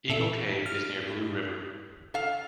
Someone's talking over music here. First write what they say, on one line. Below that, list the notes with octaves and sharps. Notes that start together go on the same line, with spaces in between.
Eagle Cave is near Blue River.
A#2 A4 E5
F6
A4 F5